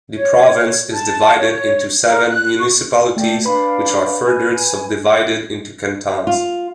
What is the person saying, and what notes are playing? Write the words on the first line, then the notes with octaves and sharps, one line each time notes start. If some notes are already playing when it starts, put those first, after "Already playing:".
The province is divided into seven municipalities which are further subdivided into cantons.
C#5
A5
C#5
A#4
F#6
C#6
A3 A4 D5 G5
D4 B4 F5 B5
G#5
F4